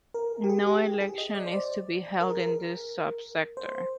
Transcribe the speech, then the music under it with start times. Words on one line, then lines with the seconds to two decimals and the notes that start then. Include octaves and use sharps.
No election is to be held in this Subsector.
0.14 A#4
0.44 G4
0.49 G#4
0.67 G4
0.84 G4
1.00 G#4
1.18 D#5
1.35 D5
1.46 C5
1.52 D5
2.21 A#4
2.30 G#4
2.39 A#4
3.57 C5